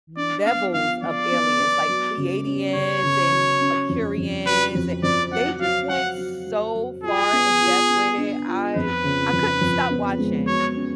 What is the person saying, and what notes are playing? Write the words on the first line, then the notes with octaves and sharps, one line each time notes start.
levels of aliens, like, Pleiadians, and Aqirians and they just went so far in depth with it, I I couldn't stop watching.
D4 D5
B3 F5
F3 F5
F3 D5
B3
B3
F#3
C#3
C#4
C#3 C#5
C#3
F#3
C#4
F2
F2
F#3 B4
F2
F2 D5
F#3 F#5
F#3 F5
F#3 F#5
F#3
F#3
F#3
F4 G#4
B3
F4
B3
D4
F4
F2 B4
C#3
F2
F2
B3
G#3
F#3 C#5
C#4